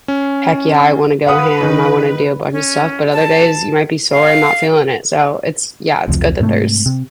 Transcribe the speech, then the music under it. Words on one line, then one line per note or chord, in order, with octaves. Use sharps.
"Heck yeah, I want to go ham, I wanna do a bunch of stuff," but other days you might be sore and not feeling it, so it's, yeah, it's good that there's
C#4
B4 F5 F#5 D#6
D#3 D#4
C#4
A5
F5
F1 C#2 C3 F3
G#2 C3 A3
C3